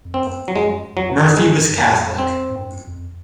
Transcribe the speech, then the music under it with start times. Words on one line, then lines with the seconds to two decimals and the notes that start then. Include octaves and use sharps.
Murphy was Catholic.
0.05 F2
0.14 F#2 C4
0.48 F#3
0.55 F#2 G#3
0.96 F2 F#3
1.16 F#2
1.29 F#2
1.37 G#2 G#3
1.58 F#2
1.70 F#2
1.78 F2 A#3
2.18 C4
2.50 G#2
2.59 F#2
2.87 F2